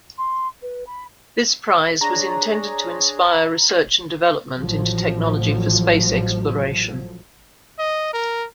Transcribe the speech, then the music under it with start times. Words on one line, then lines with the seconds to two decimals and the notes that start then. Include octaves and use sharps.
This prize was intended to inspire research and development into technology for space exploration.
0.18 C6
0.62 B4
0.87 B5
2.01 D4 G#4 C#5 A#5
4.56 A1 A2 F3 F#3
7.79 D#5
8.13 A#4